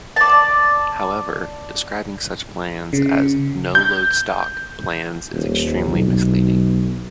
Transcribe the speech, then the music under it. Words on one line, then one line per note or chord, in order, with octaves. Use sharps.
However, describing such plans as "no-load stock" plans is extremely misleading.
D5 A5
C#3
G6
D#1
B1